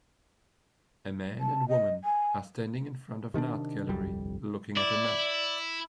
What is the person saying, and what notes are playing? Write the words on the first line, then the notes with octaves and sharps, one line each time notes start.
A man and woman are standing in front of an art gallery, looking at a map.
A5
D#5
G#5
C3 D#3 C#4 D4
G1 C2 F2 G3
E4 D5